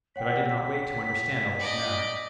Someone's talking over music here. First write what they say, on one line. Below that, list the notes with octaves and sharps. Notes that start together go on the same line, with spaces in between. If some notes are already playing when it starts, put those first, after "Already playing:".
But I did not wait to understand all this now.
C#5 F#5 G5 B6
D5 D#5